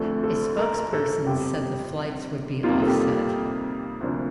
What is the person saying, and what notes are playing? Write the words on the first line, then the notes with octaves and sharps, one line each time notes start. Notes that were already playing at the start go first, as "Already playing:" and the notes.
A spokesperson said the flights would be offset.
Already playing: D2 D3 F3 A3 C4 A4
A4
A#4
A4
G1 F2 C3 G3 G4
F2 C3 G3 A#3 D#4 F4
A4
G4
D2 C3 F3 A#3 D4